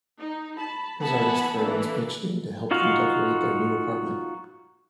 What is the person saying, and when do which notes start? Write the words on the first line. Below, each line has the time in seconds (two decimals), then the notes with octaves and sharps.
His artist friends pitched in to help them decorate their new apartment.
0.20 D#4
0.57 A5 B5
1.01 E3 B3 F#5 G#5 A5 B5
1.58 E3 A#3 D4 A4
2.71 D#4 F4 F#4 F5